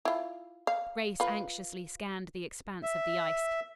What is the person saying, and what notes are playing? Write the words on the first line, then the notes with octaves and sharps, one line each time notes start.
Grace anxiously scanned the expanse of the ice.
E4 F4
F5
F4 B4
E5